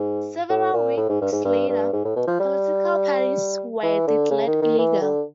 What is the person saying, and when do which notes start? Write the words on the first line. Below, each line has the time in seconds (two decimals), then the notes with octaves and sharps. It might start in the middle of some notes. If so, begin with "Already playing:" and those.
Several weeks later, political parties were declared illegal.
Already playing: G#2
0.49 A2
0.73 A#2
0.97 A2
1.09 G#2
1.21 G2
1.32 G#2
1.45 G2
1.69 G2
1.93 G#2
2.05 A2
2.16 B2
2.27 F3
2.40 G3
3.83 E3
4.07 D3
4.31 C#3
4.47 D#3
4.62 D#3
4.78 E3
5.01 D3